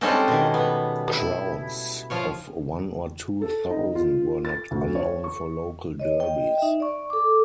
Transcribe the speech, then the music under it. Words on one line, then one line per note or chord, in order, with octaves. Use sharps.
Crowds of one or two thousand were not unknown for local derbies.
G3 G#3 C4 C#4 D#4 A4
B2 D#3
B3
E4
F3 F4 C#5
A4
D#4
F4
A6
D2
C#5
C#6
C#5 D#5
D#5 G5
D#4 E5
D5 C#6
A4 D6